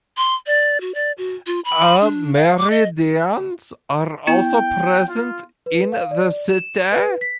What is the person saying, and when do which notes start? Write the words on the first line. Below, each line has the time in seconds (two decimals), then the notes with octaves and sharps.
Amerindians are also present in the city.
0.17 C6
0.46 D5
0.81 F#4
0.95 D5
1.18 F#4
1.47 F4
1.65 B5
2.01 D4
2.34 F5
2.58 D6
2.70 D#5
4.27 B3 E4 G5
5.08 F4
5.66 B4
5.92 F5
6.11 D5
6.51 E7
6.92 B4
7.21 B6